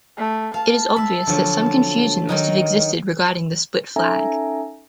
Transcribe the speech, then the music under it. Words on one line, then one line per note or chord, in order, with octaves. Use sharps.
It is obvious that some confusion must have existed regarding the "Splitflag".
A3
F5 A5
E5 B5
D3 F3 F#3
D#3 F#3 D#4
C#4 D#4 A4 E5 G#5 A#5